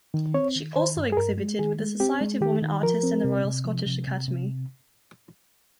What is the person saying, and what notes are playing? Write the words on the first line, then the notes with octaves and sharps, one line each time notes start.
She also exhibited with the Society of Women Artists and the Royal Scottish Academy.
D#3
C4 C#5
D#3
D#3 C5
G2
G#4
G2 A#4
G#3
D#3 G#4
G#3
C4 G4
G#3
D#3 G4
D#3
F3 A#4
C4
C3
C3
F3
C3
C3
C3